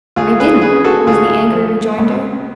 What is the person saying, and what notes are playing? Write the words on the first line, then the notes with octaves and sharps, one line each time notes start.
"I didn't," was the angry rejoinder.
D2 F4 G#4
G#4 B4
C#3 G#4 B4
F#4 A4
D2 F4 G#4
F3
C#2